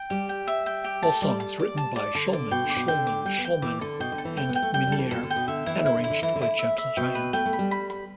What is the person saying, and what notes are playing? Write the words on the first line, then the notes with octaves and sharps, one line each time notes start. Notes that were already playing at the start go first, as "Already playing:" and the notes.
All songs written by Shulman, Shulman, Shulman and Minnear and arranged by Gentle Giant.
Already playing: G5
G3 G4
G5
E5
G5
G4
A3 A5
G3 D5
A5
D5
A5
D5
D3 A5
D5
B2 G5
D3
D6
B2
D3 G5
D6
G3 G5
B3
G5
E3 D6
D3 A4
B2 G5
D3
A4
E3
A3 G5
B3
G5
A3
G3 G5
G3
A4
E3
B2 A4
D3
G5
B2
D3 E5
E3 E4
D3 E4
D3
E4
D3
E3 E4
D3
E4
E5
E5
B2 G5
B4
A3 G5
A3
B5
G3
B5
B5